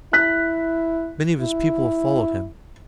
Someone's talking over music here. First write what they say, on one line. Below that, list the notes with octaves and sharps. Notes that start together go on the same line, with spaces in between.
Many of his people have followed him.
E4 F#6 B6
E4